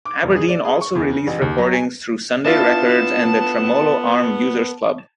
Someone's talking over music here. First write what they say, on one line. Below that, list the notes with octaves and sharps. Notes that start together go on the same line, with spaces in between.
Aberdeen also released recordings through Sunday Records and the Tremolo Arm Users Club.
D6
E1
G#4
D5
G#4
C#6
E2
C#3
A1
D#2
F#3
G#5
B3 D4 E4 F4 A5